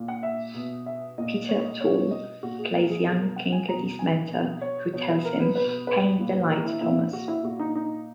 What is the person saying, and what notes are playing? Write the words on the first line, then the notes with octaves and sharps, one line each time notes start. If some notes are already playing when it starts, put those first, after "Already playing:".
Peter O'Toole plays young Kinkade's mentor, who tells him, Paint the light, Thomas!
Already playing: A#2
F#5
E5
B2
E5
A#2 D#5
C#5
D#5
B2 C#5
C#5
D#5
A#2 F#4
G#4
A#4
G#4
B2 G#4
A#4
F#5
G#5
B2 A#5
G#5
B2
C#5
B2 C#5
B4
A#4
B4
B2 B4
B4
A#2
A#4
E4
A#2 E4
F#4
E4
A#2 F#4
D#4
D#4